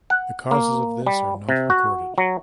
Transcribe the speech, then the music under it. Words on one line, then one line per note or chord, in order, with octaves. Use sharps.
The causes of this are not recorded.
F#5
A#3
G3
C3
F#4
F#3